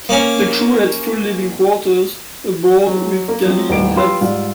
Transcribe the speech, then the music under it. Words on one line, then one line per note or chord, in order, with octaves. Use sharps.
The crew had full living quarters aboard with galley and heads.
A#3 C#4
F#3
A#3
F3 F#3 C4
D#1 A1 D#3 B4 D5 D7
F4 G4 B4 C6 E6
G#2 G3 F4